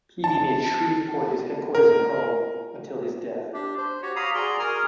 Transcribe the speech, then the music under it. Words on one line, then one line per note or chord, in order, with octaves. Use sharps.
Peavy made Shreveport his headquarters and home until his death.
A5
A#4
D4 G4
C5
F#4 G4 C#5
F5 A#5 B5 D#6
F#4 G#4 D5 A#5 C6
G#4 A#4 G#5 A#5 D#6 F6